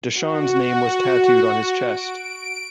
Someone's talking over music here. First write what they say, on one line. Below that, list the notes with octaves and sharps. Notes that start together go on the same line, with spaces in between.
DeShawn's name was tattooed on his chest.
F#4
D7